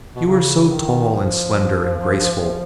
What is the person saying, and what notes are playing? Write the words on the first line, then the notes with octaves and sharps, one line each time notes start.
You are so tall and slender and graceful.
B2
C#3
D#3
F3